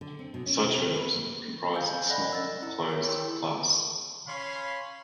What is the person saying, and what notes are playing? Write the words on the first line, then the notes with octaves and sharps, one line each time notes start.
Such verbs comprise a small closed class.
D3
C4
B2
C#4
C3
C4
B4
A#3
F5 G#5 G6
D5 D#5 F#5 B5 F#6 A#6
E6 A6
E4 E6
E4 G#4 A#4 C#5
A#4 G5 C6 E6
C#4 C#5 F5 B5 C6